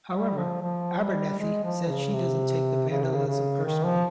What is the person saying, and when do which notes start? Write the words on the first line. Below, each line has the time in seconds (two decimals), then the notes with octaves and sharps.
However, Abernethy said she doesn't take the vandalism personally.
0.13 G3
0.37 F3
0.62 F3
1.01 G3
1.39 G#3
1.64 F3
1.89 C#3
2.13 C3
2.90 C#3
3.03 C3
3.14 C#3
3.27 C#3
3.65 D#3
3.85 F3